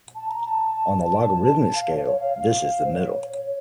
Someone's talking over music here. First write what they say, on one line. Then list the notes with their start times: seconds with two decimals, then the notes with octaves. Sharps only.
On the logarithmic scale, this is the middle.
0.15 A5
0.29 A#5
0.44 A5
1.75 F5
1.90 C#5
2.05 C#5
2.20 F5
2.34 F5
2.85 C5
2.93 C#5
3.13 C#5
3.31 C#5